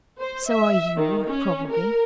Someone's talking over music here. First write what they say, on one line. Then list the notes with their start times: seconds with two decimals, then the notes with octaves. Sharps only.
So are you, probably.
0.21 C5
0.50 E5
0.96 D#3
1.30 C#4
1.71 A#4